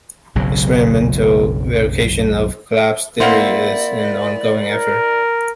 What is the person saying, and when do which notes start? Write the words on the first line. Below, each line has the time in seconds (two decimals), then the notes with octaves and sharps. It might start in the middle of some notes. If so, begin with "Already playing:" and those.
Experimental verification of collapse theories is an ongoing effort.
0.35 F#1 B1 C#3 F#3
3.20 A#3 C4 E4 C5 D5 F#5
4.69 A#4